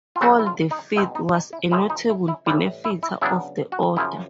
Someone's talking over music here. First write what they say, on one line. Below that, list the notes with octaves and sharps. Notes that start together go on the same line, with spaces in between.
Paul the Fifth was a notable benefactor of the order.
F4
E2 C#3 F#3 A3 C4 F#4
E4
F4
D#4
B2 G#3 C4 D#4 E4
D#4
D#4
E4
F#2 C#3 F3 A3 E4
D#4
E4
E4
A2 E3 G3 F4
E4
E4
C#3 F#3 B3 D4 E4
F#4
F#2 C#3 F3 E4